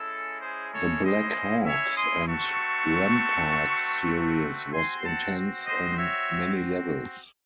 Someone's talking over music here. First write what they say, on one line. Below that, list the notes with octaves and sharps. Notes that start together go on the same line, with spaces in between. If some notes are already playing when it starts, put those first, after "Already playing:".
The Black Hawks and Remparts series was intense on many levels.
Already playing: G#3 C#4 E4 A4
G#4 C5
A4 C#5
C5 D#5
C#5 E5
C6 D#6
A3 C4 F#4 A5 C#6
C4 F#4 G#5 C6
F#5 A5
C5 D#5
C#5 E5